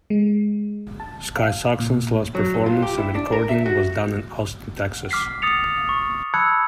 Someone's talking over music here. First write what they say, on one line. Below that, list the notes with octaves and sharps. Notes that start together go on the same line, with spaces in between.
Sky Saxon's last performance and recording was done in Austin, Texas.
G#3
A5
F5
A#2
F#3
G2
F4
G4
E4
D4
A#4
E5
F#4
D6 F6 B6 C7
D#6 A6 C#7 F7
C#6
A5 B5 E6 F#6 G#6 C#7